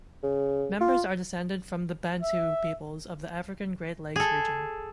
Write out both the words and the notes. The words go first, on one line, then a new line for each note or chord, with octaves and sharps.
Members are descended from the Bantu peoples of the African Great Lakes region.
C#3
F4
E5
G#4 A4